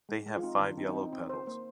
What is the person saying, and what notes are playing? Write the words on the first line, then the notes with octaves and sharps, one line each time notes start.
They have five yellow petals.
G#3
G#3
F4
C4 D#4
D#3 D4
C4 D#4
D#4
C4
D#4
C4 D#4
C4 C5
A#3 C5